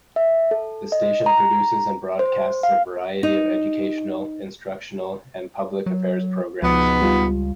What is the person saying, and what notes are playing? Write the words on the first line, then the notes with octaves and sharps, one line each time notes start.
The station produces and broadcasts a variety of educational, instructional and public affairs programs.
E5
A4
D#5
A#5
C5
F5
D#4
F#3
C#2 G#2 B2 F3 B3
G3 F4